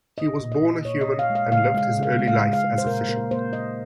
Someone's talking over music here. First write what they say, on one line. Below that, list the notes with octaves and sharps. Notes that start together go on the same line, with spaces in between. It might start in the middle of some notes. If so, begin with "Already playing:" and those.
He was born a human and lived his early life as a fisherman.
A#2 D#5
A#2
D#5
A#2
A#2 C#5
D#5
A#2
F5
G#3
F5
C#3 F5
G#3 F5
C#3
F5
G#3
F5
G#3
F5
G#3
C5
A#2 A#4
A#3 A#4
A#3 C5
A#2 D#5